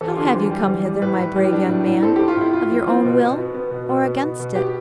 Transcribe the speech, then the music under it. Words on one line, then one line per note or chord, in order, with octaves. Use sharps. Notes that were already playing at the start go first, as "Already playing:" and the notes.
"How have you come hither, my brave young man--of your own will or against it?"
E2 A4
G4
D3 F4
G4
E2
G3
E2
G3
A2 B4
A2
G3
D4
A2
A2
C4 A4
G4
A2
F4
A2 E4
A2 F4
F3
C4
B2
B2
B3
B3
B2
B2
B3
B2
B2
B3 G4